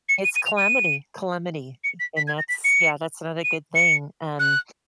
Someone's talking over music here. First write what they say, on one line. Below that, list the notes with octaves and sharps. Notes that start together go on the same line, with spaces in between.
It's calamity, calamity, eh, and that's yeah, that's another good thing, um
C#7
D#7
D#7
F7
D#7
C#7
B6
B6
G#6
A#6
B6
C#7
D#7
C#7
F#6